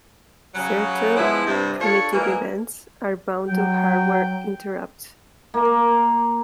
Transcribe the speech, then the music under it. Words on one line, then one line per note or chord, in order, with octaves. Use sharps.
Certain primitive events are bound to hardware interrupts.
C#3 F#3
F3 G#3 B3 E4
G2 C3
D4 F4 A4 C#5
E3 F3 G3 G#3 A#3
F#3 G5
A#3